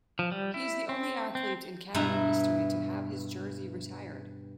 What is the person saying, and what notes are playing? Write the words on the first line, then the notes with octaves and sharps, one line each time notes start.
He is the only athlete in Canevin history to have his jersey retired.
F3
G3
E4
C4
C4
G2 B2 E4 A#5